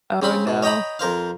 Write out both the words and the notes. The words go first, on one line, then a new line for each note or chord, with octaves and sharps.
Oh, no.
C#3 C4 B5 C6
B2
C#5 D#5 G5 A#5 B5
F2 A#4 C5 F5